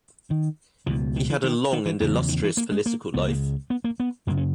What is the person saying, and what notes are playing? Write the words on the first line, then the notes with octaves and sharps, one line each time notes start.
He had a long and illustrious political life.
D#3
C#2 B2 E3
D#3
E3
D#3
D#3
E3
E2 C#3 E3
F#3
D#3
E3
A#3
G#3
A#3
C#2 C#3 B3
A#3
B3
A#3
B3
F#2 C#3 A#3
C#4